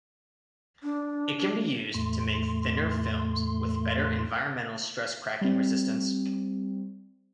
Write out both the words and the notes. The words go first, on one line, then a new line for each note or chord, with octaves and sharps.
It can be used to make thinner films, with better environmental stress cracking resistance.
D4
E2 A2 A3 C6
G3 C4